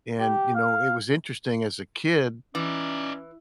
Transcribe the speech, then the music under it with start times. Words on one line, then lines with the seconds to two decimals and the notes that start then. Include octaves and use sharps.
and, you know, it was interesting as a kid,
0.20 G4
0.55 F5
2.55 E3 C#4 D#4 D5